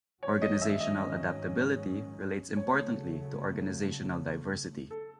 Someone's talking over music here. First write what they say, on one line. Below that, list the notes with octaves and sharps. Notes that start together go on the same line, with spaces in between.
Organizational adaptability relates importantly to organizational diversity.
G#2 D#3 F#3 C#4 C#5
D#5
E5
D#5
C#3 F#3 A3 C#5
A4